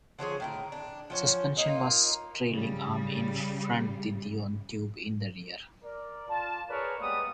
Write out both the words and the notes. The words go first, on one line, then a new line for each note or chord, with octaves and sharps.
Suspension was trailing arm in front De Dion tube in the rear.
D3 F3 C#4 G#4
A2 E4 A#4
D4
F3 F#3 C#4
A#3 D#4 F4
C#3 G3
A#4 D5
F4 A5
G#4 A#4 B4 C#5 D5
G3 G#3 A#3 B3 D#6